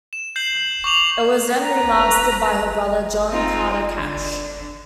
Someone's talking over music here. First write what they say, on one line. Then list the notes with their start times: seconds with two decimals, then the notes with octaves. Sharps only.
It was then remastered by her brother John Carter Cash.
0.13 E7
0.36 G6 C7 E7 F#7
0.84 C#6 D6 F7 F#7
1.60 B4 A#5
3.30 C4 D#4 F4
3.98 D3